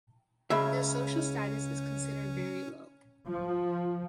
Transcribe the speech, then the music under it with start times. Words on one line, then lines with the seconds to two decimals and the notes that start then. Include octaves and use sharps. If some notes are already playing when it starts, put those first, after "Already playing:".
Their social status is considered very low.
0.50 C#2 C#3 C#4 G#4 D#5 E5 B5
3.28 F3